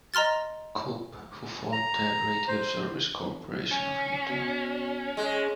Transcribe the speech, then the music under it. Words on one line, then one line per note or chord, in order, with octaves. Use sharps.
Cope, who formed the Radio Service Corporation of Utah.
D#5 A#5 C6 F6 A6
A#5
C5
C#4
B2
G#3